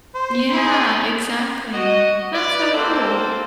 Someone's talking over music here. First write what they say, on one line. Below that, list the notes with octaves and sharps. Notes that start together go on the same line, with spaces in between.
Yeah, exactly. That's so cool.
C5
E4 G#4
F#4 D#5
B4 D5
A#3 C4 F#4 A4 C5